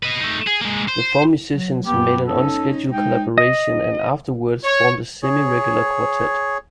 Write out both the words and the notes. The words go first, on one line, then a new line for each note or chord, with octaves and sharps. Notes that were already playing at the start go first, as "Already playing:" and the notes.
The four musicians made an unscheduled collaboration, and afterwards formed a semi-regular quartet.
B4 D#5
A3 D#4
G#4
G#3 A#3
C5
F#3
F#2 B3 G4
C#4 D#4 A4
G#3 D#4 G5
D#5
C#5
G#4 C#5